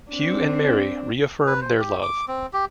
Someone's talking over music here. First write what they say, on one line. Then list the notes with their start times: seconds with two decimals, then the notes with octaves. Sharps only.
Hugh and Mary reaffirm their love.
0.12 C4 D4
1.47 B4
1.61 C5
1.79 G4
2.02 D6
2.28 C4
2.53 G4